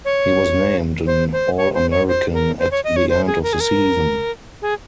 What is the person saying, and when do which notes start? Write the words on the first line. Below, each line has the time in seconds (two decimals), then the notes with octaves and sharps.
He was named an All-American at the end of the season.
0.05 C#5
1.07 C5
1.33 C5
1.57 C#5
1.74 C5
1.91 C#5
2.08 C5
2.34 A#4
2.59 C5
2.72 C#5
2.84 D#5
2.96 C#5
3.09 C5
3.27 G#4
3.43 A#4
3.53 G#4
3.60 A#4
4.62 G#4